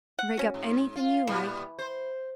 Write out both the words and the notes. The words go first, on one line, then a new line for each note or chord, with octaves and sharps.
Rig up anything you like....
F#5
C#4 F#4
G#2
F4
A#2 E3 G3 B3
C5